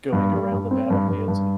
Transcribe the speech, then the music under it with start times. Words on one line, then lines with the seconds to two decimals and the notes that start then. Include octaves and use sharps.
going around the battlefields, and
0.13 G2
0.33 G3
0.51 G2
0.71 C4
0.90 G2
1.08 G2
1.28 G2